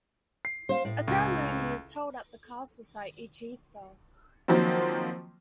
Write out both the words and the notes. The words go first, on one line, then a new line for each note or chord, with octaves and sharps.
A ceremony is held at the castle site each Easter.
C7
C5 F5
A2
C#2
D#3 F3 F#3 A#3 C4